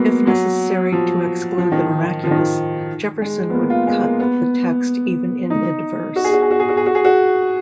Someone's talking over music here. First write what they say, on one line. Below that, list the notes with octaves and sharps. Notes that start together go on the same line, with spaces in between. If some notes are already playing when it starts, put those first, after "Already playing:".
If necessary to exclude the miraculous, Jefferson would cut the text even in mid-verse.
Already playing: F#3 G#3 A#3 B3
F#3
F3
F3
D#3
F3
F3
D#3
F3
G#3
B3
A#3
F4
G#3
A#3
B3
D#4
F#4
G#4
F#4
G#4
F#4
G#4
F#4
G#4
F#4
G#4
F#4